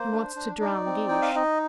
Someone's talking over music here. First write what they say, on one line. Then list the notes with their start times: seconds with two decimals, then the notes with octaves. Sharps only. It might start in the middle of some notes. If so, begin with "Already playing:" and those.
"He wants to drown Guiche."
Already playing: A#3 C5
0.12 D4
0.36 D4
0.61 D#4 D5
0.86 C4
1.08 D#4 G5
1.22 F5
1.35 D#4 D#5